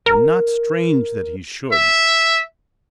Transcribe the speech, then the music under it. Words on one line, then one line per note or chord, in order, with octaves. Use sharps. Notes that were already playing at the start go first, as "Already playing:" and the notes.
And not strange that he should.
A#4
E5